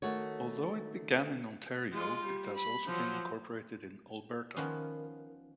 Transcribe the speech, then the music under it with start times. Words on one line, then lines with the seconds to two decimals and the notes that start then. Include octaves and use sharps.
Although it began in Ontario, it has also been incorporated in Alberta.
0.02 D#3 A3 F#4 C#5
1.92 G#3 F4
2.24 G3
2.55 B5
2.86 F3 F#3
4.56 D#3 F3 B3 C#4